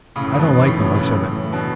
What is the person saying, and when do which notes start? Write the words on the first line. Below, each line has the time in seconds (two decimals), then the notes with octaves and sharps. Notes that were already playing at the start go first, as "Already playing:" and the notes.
I don't like the looks of it.
0.15 F#2 A2 C#3 E3 A3 C#4
0.34 C#3
0.39 G#2 B2
0.61 A2 C#3
0.72 A2
0.85 A2
0.96 A2 C#3
1.52 B2 D3